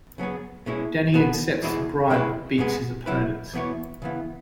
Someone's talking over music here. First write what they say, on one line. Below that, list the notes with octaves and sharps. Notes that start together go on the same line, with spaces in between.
Danny accepts the bribe but beats his opponent.
C#3 F#3 B3 G#4
B2 G#3 C#4 E4
B2 B3 G#4 B4
E2 B2 G#3 E4 G#4
C#3 G#3 E4 B4
G#2 G#3 B3 G#4
F#3 E4 B4
E2 B2 B3 E4 C#5
C#3 E3 B3 E4